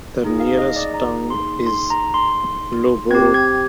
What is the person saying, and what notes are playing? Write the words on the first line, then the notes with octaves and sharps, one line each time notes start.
The nearest town is Loughborough.
A#3 D#4 G#4
F5
D#5
D5
A#5
C6
C6
A#5
C6
C4 G4 G#6
G#6